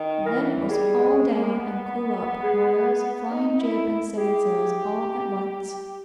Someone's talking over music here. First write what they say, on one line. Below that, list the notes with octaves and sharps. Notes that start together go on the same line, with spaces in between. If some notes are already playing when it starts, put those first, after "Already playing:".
Then it was "haul down," and "clew up," royals, flying-jib, and studding-sails, all at once.
Already playing: D#3
E3 A#4
G3 G#4
G#3
A#3
B3
G#4
D#4
E4
G4 G#4